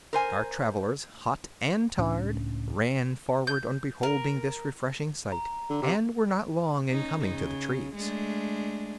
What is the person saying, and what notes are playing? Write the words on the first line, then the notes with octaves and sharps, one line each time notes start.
Our travelers, hot and tired, ran forward on beholding this refreshing sight and were not long in coming to the trees.
A#4 C5 G#5
C#2 A2 C#4 D4
G6
A#4
A#5
D3
C3
C#4 D#4
C#3
G#3 A3 D4